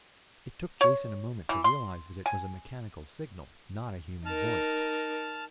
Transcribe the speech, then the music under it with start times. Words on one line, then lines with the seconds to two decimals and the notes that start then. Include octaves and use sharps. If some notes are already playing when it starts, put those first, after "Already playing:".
It took Jason a moment to realize that it was a mechanical signal, not a human voice.
0.81 C#5
1.49 E3
1.64 C6
2.26 G#5
4.26 D#4 A#4 A5 F6